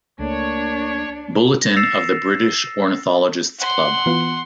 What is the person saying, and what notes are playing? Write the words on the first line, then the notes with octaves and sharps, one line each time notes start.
Bulletin of the British Ornithologists' Club.
C#2 A3 A#3 D4 C#5
A#6
E6 A6 C7 C#7 E7 F7
F#5 C6
E3 B3 F4